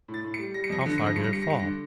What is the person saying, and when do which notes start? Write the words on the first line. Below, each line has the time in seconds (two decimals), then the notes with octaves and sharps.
How far did it fall?
0.08 A2
0.14 A6
0.24 A2
0.34 C#7
0.39 G3
0.54 G3 A#6
0.64 C#7
0.70 F2 A#6
0.81 C#7
0.86 D3 A#6
0.98 F2 C#7
1.07 A#6
1.16 G2 C#7
1.24 A#6
1.32 G3 C#7
1.42 A#6
1.48 G2 C#7
1.59 D3 A#6